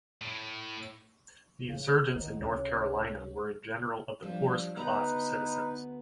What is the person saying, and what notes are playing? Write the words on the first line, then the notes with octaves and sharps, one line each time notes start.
The insurgents in North Carolina were in general of the poorest class of citizens.
A2
C#3
C2 D#3
C#2 C3 C#4
F3 G3 D4
D2 B3 D#4 B4 A#5